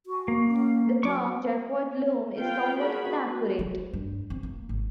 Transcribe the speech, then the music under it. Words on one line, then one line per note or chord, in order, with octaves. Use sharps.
The term "Jacquard loom" is somewhat inaccurate.
F#4
A#3
C#4
F#3 C#6 D6
F4 B4 F5 G5
F#4 G#4 A#4 B5
B4
G3
G2
C4
A#3
G#1